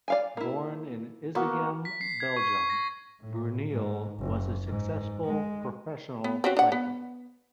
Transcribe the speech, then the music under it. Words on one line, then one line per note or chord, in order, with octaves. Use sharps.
Born in Izegem, Belgium, Bruyneel was a successful professional cyclist.
D5 F5 G#5
A#3 E4
A#3 B3 E4 F#4
B6
C7
G#6
C#6
A#6
A2
G#2
F#1
G#2
G#3
B3
C4 C#4 F#4
D4 F#5
B3